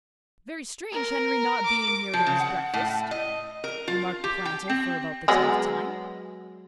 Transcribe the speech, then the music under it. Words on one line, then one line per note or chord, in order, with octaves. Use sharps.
"Very strange Henry not being here to his breakfast!" remarked the planter, for about the tenth time.
A#4
D6
F3
C#3
F#5
A2
D#5
A#4
F4
G4
G5
C4
F#3 G#3 B3